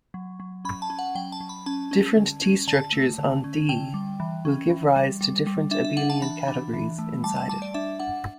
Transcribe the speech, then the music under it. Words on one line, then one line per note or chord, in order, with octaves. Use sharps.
Different t-structures on "D" will give rise to different abelian categories inside it.
F#3
F#3
C#4 B5
A5
C#4
F#5
F#3 G5
A5
F#3
B5
C#4 A5
C#4
D3
C#4
D3 A5
A3
D3
C#4
D3 G5
G3
E3
C#4
E3
G3
G3
G3
D4 E5
E5
D4 F#5
A5
E3 B5
D4
E3
A3
G3 A5
A5
G3 A5
D5
D4 E5
D4 F#5